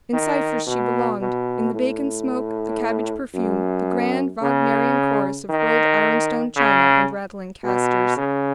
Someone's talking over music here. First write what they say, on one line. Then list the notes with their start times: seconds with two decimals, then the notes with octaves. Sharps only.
In Cypher's she belonged--in the bacon smoke, the cabbage perfume, the grand, Wagnerian chorus of hurled ironstone china and rattling casters.
0.13 D#3
0.67 B2
1.21 B2
1.73 A2
3.35 F#2
4.42 C#3
5.49 D#3
6.56 C#3
7.64 B2
8.17 C#3